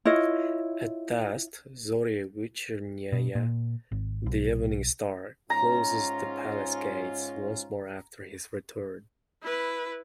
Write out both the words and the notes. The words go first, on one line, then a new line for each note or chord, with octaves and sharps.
At dusk, Zorya Vechernyaya—the Evening Star—closes the palace gates once more after his return.
E4 F4 C#5 D#5
B2
A#2
G#1
B1
G#2 C#4 F4 A#5
E4 B4